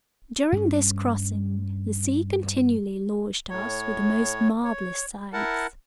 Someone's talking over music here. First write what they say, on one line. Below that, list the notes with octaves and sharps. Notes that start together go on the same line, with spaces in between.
During this crossing, the sea continually lavished us with the most marvelous sights.
G2 C#4
A2 C#5
C#5
E4 A#4 F#5 A5